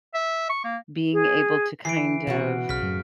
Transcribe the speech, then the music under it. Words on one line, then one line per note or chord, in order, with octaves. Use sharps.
being able to kind of,
E5
C#6
A#3
G#4
E3 C7 D7
B2 B3 C#4 F#4
B1 C#3 F6 B6
F#2 A2 F#3